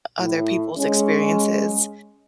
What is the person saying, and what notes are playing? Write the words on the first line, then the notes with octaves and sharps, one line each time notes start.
other people's experiences.
A2
G#3 C#4